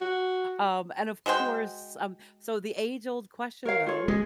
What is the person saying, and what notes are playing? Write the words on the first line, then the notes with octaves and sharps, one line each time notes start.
Um, and, of course, um, so the age-old question, though,
F#4
G#3 F#4 C5 G5
A#4 C#5 F5
F4 A4 C#5
G#3 G#4